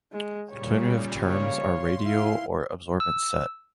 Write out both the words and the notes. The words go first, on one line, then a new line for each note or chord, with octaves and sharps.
Alternative terms are radial or absorbent set.
G#3
A#2 C#3 G3 C#5
C#5 F5
C6
E4 F5
E6